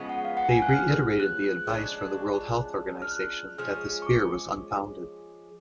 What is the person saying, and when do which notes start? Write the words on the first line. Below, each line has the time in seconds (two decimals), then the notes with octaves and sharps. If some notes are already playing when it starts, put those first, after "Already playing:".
They reiterated the advice from the World Health Organization that this fear was unfounded.
Already playing: C#3 F3 G#3 B3
0.09 F#5
0.25 F5
0.37 F#5
0.49 G#5
0.62 F#6
0.73 F6
1.20 F#6
1.44 F#6
1.67 C#3 F3 G#3 D4
3.02 F6
3.11 F#6
3.58 F3 G#3 C#4 G#4 F6
4.02 C#6
4.06 D6